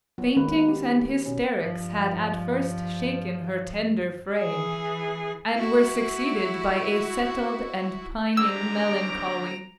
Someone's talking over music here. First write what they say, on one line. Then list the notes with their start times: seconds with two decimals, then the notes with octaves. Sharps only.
Faintings and hysterics had at first shaken her tender frame, and were succeeded by a settled and pining melancholy.
0.18 F#3 B3 F4 F#4
0.36 D#3 G#3 A#3 F4 B4
0.68 G4
1.26 B2 C#4
1.57 G2 F3
4.40 E3 G#4
5.55 E4 F#4
8.37 D3 C4 A#5 E6 D7